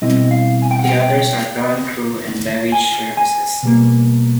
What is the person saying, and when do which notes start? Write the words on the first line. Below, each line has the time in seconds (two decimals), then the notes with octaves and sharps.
The others are ground crew and baggage services.
0.02 B2 G3 C4 E4 D#5
0.31 F5
0.62 G#5
0.71 G5
0.79 F#5
0.89 G5
2.72 G#5
3.17 G#5
3.63 B2 G3 A#3